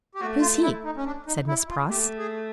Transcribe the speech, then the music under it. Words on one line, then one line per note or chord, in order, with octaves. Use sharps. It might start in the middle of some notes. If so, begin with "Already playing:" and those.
"Who's he?" said Miss Pross.
G4
A3 F#4
F4
E4
D#4
C#4
D4
D#4
E4
F4
A3 G4
G#4